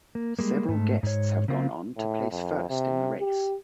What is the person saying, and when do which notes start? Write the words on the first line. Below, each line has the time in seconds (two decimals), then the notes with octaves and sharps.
Several guests have gone on to place first in the race.
0.15 A#3
0.39 G3 G#3 A#3
0.68 G#2 A3
1.03 G#2 C#5
1.48 C#3 A#3 C4 F4
1.97 A2
2.32 F2
2.70 C3
3.20 G4